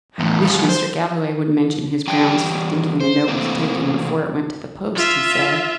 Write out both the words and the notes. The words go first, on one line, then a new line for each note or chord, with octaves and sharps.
"I wish Mr. Galloway would mention his grounds for thinking the note was taken before it went to the post!" he said.
E2 A2
F3 G3
C5
E2 G3 G5 A5
C5
C3 E3 A3 A#3 C4
F4 E5